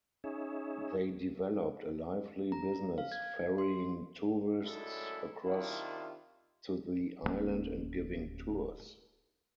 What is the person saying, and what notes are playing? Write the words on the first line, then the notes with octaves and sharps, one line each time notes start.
They developed a lively business ferrying tourists across to the island and giving tours.
C#4 D#4 G#4 C#5 E5
A#5
F5
G#6
C6
F#2 A2 G#3 D4 E4 A4
C3 D#3 D4 E4 F4
D1 G2 A#3 C#4